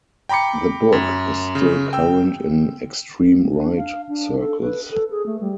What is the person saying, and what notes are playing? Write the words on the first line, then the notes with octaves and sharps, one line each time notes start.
The book is still current in extreme-right circles.
G5 A#5 B5 D6 C#7
F#2
C#3
G5 E6
D4
F5
D4
A4
B4
A4
G#4
A3
G3